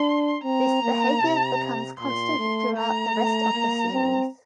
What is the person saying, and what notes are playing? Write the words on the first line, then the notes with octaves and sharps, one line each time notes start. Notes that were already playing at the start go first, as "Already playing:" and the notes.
This behavior becomes constant throughout the rest of the series.
Already playing: D4 C6
C4 A#5
A#3
C3
A#2 C6
A3
A3 A#5
A3
A#3
C4